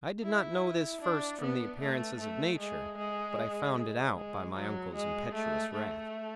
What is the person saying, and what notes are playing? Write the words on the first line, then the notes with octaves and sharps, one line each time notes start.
I did not know this first from the appearances of nature, but I found it out by my uncle's impetuous wrath.
E4
D4
B3
A3
A3
G#3
G#3
G#3
G#3
F#3
G#3
A3
A3